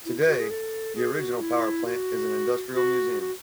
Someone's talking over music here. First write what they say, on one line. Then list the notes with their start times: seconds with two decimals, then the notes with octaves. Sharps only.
Today, the original power plant is an industrial museum.
0.06 E4
0.29 F#4
0.40 G#4
0.50 A4
0.96 G#4
1.19 F#4
1.41 E4
1.86 F#4
2.75 F#4
3.21 F#4